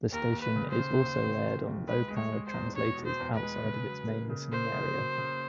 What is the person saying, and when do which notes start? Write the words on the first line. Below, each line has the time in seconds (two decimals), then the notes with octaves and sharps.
The station is also aired on low-powered translators outside of its main listening area.
0.12 D#2 A#4
0.34 D#2
0.42 B4
0.56 C#3
0.71 C5
0.79 C#3
1.00 D#2
1.22 D#2
1.44 A3
1.67 D#2
1.88 G#3 B4
2.10 G#3
2.17 C#5
2.32 G#3
2.46 C5
2.54 E2
2.76 B2 C#5
2.98 B2
3.06 C5
3.20 E2
3.35 B4
3.42 G#3
3.64 C#3
3.86 F#3
4.07 A#3
4.30 C#3
4.52 A#3 C5
4.73 C#3
4.95 F#3
5.18 C#3